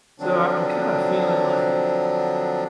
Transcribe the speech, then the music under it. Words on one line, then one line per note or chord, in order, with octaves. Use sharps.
So, I I'm kinda feeling like,
D3 F3 F#3 C4 D4